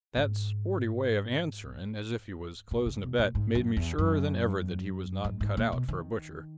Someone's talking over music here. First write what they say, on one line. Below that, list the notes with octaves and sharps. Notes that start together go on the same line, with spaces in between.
That sporty way of answering, as if he was closing a bet, made me surer than ever that he was not cut out for a butcher.
G#2
A#2
C#3
B2
A#2
G#2
F#2
E2
F#2
G#2
G#2
A#2
B2
D#3